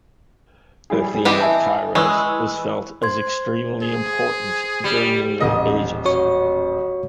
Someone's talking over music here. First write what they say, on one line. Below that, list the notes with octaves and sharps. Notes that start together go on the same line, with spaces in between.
The theme of Kairos was felt as extremely important during the Middle Ages.
G3 E4 G#4
E3 C4 E4 G4 B4 D#5
E5 G#5 A5
E3 G#3 B4 G#5 C#6 E6
C5 C6 G#6
G#4
G3
D#1 A1 D#5
F#4 C#5 C#6